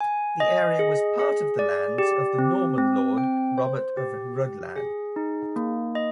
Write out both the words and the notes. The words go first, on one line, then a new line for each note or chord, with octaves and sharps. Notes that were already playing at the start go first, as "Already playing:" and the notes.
The area was part of the lands of the Norman lord Robert of Rhuddlan.
G#5
D#5
G#4
G#4
D5
G4
C4
C4
G5
C5
G4
G4
G#4
D#4
A#3
D#5